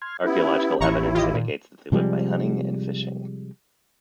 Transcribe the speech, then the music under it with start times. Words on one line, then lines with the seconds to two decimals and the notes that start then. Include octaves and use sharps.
Archaeological evidence indicates that they lived by hunting and fishing.
0.02 C6 F6 G#6
0.25 B3 C#4 E4 G4
0.80 A1 D#2 E3 E4 A#5 C#6
1.15 D#3 F4 G4 D#5
1.34 A#2
1.92 C3 F3 G3 G#3